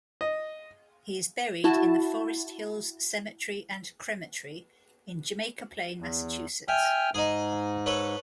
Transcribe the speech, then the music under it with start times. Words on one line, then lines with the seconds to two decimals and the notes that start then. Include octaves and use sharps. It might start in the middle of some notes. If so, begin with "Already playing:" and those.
He is buried in the Forest Hills Cemetery and Crematory in Jamaica Plain, Massachusetts.
0.21 D#5
1.64 E4 F#4 A5
6.00 E2
6.68 E5 G5 G#5 F6
7.14 G#2 D#4 G#4
7.86 A4 B4 C#5